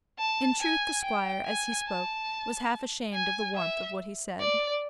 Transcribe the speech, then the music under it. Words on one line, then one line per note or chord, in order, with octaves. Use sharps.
In truth the squire, as he spoke, was half-ashamed of the warmth of what he said.
A5
G#5
G5
G#5
A5
G#5
E5
D5